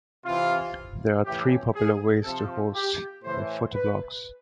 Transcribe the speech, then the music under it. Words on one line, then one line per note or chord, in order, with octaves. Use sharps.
There are three popular ways to host a photoblogs.
C3 E3 F4
A2 E3 G4
G#4
C3 F3 A4
G4
A2 E3 C5
B4